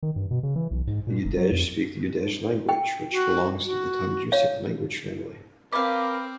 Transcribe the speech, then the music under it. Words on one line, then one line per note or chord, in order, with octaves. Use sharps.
The Udege speak the Udege language, which belongs to the Tungusic language family.
D#3
G2
B2
C#3
E3
B1
G#2
A#2
F1
F#3
F2
G5
F#4
F#4
C#5 F5
C4 A#4 B4 F5 B5 D6